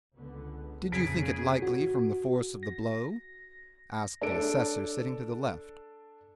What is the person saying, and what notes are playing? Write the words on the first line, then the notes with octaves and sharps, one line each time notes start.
Did you think it likely from the force of the blow?' asked the assessor sitting to the left.
C#2 D3 B3
F2 A#2 C#3 G#4 B6 D7
F#4
A#6
D4 A4 D7